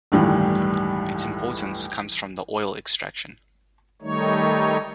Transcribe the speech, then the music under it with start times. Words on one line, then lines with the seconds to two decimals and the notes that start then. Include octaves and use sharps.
Its importance comes from the oil extraction.
0.12 G1 C#2 A2 D#3 E3 G3
4.02 D#3 G3 A3 D#4 C#5